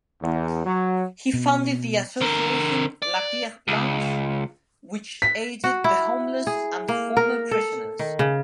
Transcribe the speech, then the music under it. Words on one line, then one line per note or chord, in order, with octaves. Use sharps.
He founded the association La Pierre Blanche which aided the homeless and former prisoners.
E2
F#3
B2
D3 A#4
D5
C#2
B6
F#4
E4
G#4
A#3
A#4
A4
D#3
C#3